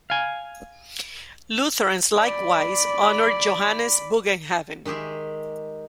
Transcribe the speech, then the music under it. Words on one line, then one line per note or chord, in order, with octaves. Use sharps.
Lutherans likewise honor Johannes Bugenhagen.
F5 G#5
D5 B5
D#3 G#3 G4 G#4 E5